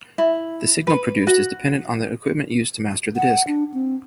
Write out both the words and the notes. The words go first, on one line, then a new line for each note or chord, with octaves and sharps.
The signal produced is dependent on the equipment used to master the disc.
E4
B4
F#4
F#5
D4
C4